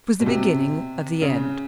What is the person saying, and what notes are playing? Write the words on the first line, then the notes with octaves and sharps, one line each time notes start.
It was the beginning of the end.
B2
C3
C#3